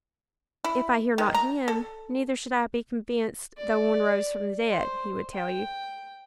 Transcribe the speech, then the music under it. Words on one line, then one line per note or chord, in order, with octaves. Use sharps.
If I hear not him, neither should I be convinced though one rose from the dead, he would tell you.
E4
D#3
A#5
A4
D5
C5
G5